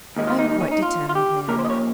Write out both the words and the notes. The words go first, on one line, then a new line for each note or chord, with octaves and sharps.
I am quite determined, Mary.
D#2 D#3 G#3
F4
D#4
D#4
C#4
D#4
F4
F4
G4
A#2 F3 A#3 C#4 A#4
C5
D#5
C#5